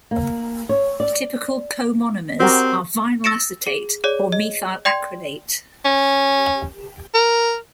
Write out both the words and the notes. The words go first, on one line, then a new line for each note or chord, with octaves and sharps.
Typical comonomers are vinyl acetate or methyl acrylate.
A#3
C#5
D5
C4 F#4 G4 A#4
E6 A6 A#6 C#7 D7 E7
G#4
G#4 C#5 D5
D#5
D5 G5 C6 G#6
C#4
A#4